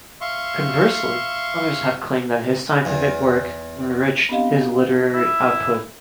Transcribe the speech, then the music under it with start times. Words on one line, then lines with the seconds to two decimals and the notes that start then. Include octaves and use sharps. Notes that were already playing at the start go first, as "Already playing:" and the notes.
Conversely, others have claimed that his scientific work enriched his literary output.
0.21 E5 F5 C6 C#6
2.85 E2
4.29 B3 C4 D4 G4 D#5 F5
4.57 F#4 G4
5.14 E4